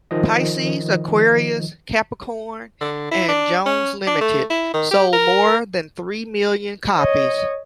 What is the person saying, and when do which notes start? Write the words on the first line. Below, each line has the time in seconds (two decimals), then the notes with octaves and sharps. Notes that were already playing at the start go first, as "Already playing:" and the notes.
"Pisces, Aquarius, Capricorn and Jones Limited" sold more than three million copies.
0.11 D#3 F3 D#5
2.81 D3
3.11 E4
3.28 D4
3.66 C#4
4.07 D4
4.21 A3
4.50 E4
4.74 D#3
4.91 G4
5.13 A#4
6.96 C#5 D#5